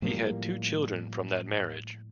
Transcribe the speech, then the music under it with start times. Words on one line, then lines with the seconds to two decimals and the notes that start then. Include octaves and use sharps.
He had two children from that marriage.
0.02 A2 F3 G3 A#3